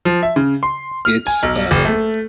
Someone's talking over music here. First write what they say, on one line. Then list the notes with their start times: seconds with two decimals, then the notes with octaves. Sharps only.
it's, um
0.05 F3
0.23 E5
0.36 C#3
0.63 C6
1.05 F6
1.27 G#5
1.43 B1
1.71 F#1
1.85 A3